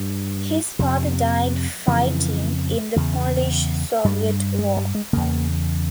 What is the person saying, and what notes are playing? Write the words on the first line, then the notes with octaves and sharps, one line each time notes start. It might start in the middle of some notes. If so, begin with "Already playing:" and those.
His father died fighting in the Polish-Soviet War.
Already playing: G2
F2 C3
F2 C#3 E3
E2 C#3
G2 G3
G#3
G3
G#3
E2 C#3 A#3